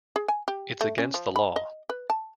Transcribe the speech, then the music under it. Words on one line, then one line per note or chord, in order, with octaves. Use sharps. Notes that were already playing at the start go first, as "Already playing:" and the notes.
It's against the law.
G#4
G#5
G4
A3
C#4
F3
B5
D#5
B4
A5